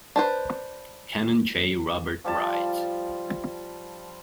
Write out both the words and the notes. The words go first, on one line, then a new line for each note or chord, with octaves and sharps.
Canon J. Robert Wright.
D4 B4 C5
F3 G3 A5